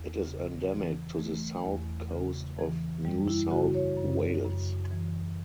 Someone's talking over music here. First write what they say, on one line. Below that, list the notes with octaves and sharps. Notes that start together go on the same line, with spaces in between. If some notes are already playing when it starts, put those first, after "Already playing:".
It is endemic to the south coast of New South Wales.
Already playing: E2
C#3
E3
E3 A3
E2
C#3
E3
F#2 G3
E4
C#3 F#4
C#5
F#2
F#2
E3